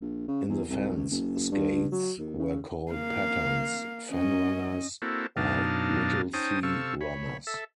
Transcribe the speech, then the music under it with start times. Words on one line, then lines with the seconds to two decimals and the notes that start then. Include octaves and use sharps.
In the Fens skates were called pattens, fen runners, or Whittlesey runners.
0.01 A#1
0.28 C#3
0.49 E2
0.69 C2
0.95 C#2
1.11 F#1
1.52 G2
1.92 F#3
2.19 D#2
2.39 C#3
2.92 A#3 F5
4.12 C#4 D#5
5.02 A#3 C4 E4 F#4 A4
5.37 F#2 B2 D4 D#4 F5 A5
6.33 C#4 D#4 C5 G5 A5 D#6
6.63 C3 A4 F5 C#6 E6
7.01 C#5 B5
7.47 A4 E5